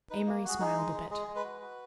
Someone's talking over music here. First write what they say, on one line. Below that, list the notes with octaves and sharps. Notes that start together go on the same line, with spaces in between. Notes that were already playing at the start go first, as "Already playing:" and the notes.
Amory smiled a bit.
D#4 B4
A#3
F#4 G#4
D#4 G#4
G#3
G#3
G#3 G#4
G#3
B4
F#4
F#4